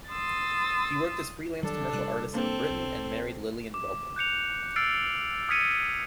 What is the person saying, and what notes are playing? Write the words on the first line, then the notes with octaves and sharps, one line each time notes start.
He worked as free-lance commercial artist in Britain, and married Lillian Welbourn.
C6 D#6 E6 A6
D#3 F#3 G3 D4 A4
C3 G3 F#6
A#3 C4 D4 A4
B1
D6
F#6 G6 C#7 F7
E6 F6 A6 C7 D7
D#6 F6 G#6 B6 C#7 D#7